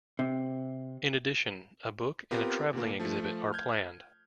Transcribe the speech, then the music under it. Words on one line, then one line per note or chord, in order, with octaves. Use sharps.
In addition, a book and a travelling exhibit are planned.
C3
B3 C4 F4 G4 A#4
A#2 D3 A#3
F3 A3
F6 G6 G#6